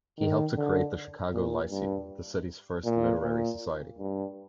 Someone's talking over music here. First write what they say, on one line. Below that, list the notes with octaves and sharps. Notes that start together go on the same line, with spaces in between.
He helped to create the Chicago Lyceum, the city's first literary society.
D#3
D3
A#2
G2
A#2
A#2
G2